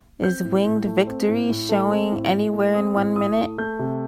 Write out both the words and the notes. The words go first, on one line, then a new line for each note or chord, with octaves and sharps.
Is Winged Victory showing anywhere in one minute?
C4 G6
A2
A2
A3
C4
A2
A2
A3
C4
A2
A2
A3
C4 D#6
A2
A2 D#6
A3
A3 G6
C3